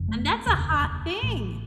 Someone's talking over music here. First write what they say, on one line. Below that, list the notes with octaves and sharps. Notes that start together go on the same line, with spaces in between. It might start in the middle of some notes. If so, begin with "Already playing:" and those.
and that's a hot thing!
Already playing: F#1 F2 C#3
A3
F1 D#2 C#3 A#3
A#3
A1 A2